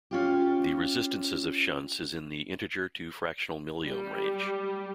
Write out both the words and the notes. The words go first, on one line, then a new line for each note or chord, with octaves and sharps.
The resistances of shunts is in the integer to fractional milliohm range.
C#4 F4 G4
G3 G4